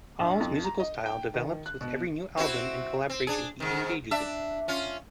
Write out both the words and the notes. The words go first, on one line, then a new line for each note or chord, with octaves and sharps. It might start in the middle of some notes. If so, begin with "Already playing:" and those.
Hall's musical style develops with every new album and collaboration he engages in.
A#1
F2
A#5
D#5
G5
D#3
F#6
B2
C4 E4 F#4
C4
D4 G#4
G#2 D#3
D4 E5
C#4 F4